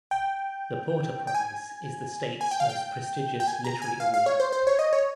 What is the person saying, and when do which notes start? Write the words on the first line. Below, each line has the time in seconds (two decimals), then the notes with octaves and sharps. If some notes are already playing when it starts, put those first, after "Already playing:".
The Porter Prize is the state's most prestigious literary award.
0.11 G5
1.27 G5
1.35 G#5
2.41 G#5
2.51 G5
2.60 F5
2.69 G5
3.40 G5
3.47 G#5
3.64 A#5
3.82 G#5
4.00 F5
4.14 F5
4.26 C#5
4.40 C5
4.52 C5
4.67 C#5
4.79 D#5
4.93 C#5